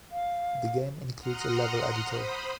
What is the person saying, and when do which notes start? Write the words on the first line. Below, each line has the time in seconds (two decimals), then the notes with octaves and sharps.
The game includes a level editor.
0.12 F5
1.19 F#5 A#5 C6 D#6 F6
2.05 C5 B5 D#6